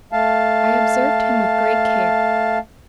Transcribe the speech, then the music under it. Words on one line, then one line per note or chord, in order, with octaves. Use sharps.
I observed him with great care.
A3 F5 A5